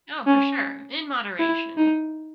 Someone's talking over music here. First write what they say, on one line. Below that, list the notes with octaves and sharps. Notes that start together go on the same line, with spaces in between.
Oh, for sure, in moderation.
C#4
E4
D#4